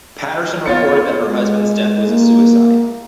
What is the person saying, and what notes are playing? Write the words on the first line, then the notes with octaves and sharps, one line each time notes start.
Patterson reported that her husband's death was a suicide.
B3 F4 C#5 A6 C#7
G#3
A#3